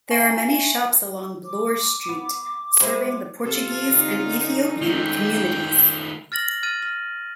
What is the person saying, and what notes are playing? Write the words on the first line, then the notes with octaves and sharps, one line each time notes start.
There are many shops along Bloor Street serving the Portuguese and Ethiopian communities.
E5 G#5 A5 C#6
D6
B3
G#3 C4 E4
C3 F4 A4
D3 C#4 D#4
G#2 D#3 A3 G5
F6 A6 A#6 F#7
F6 A6 D#7
F6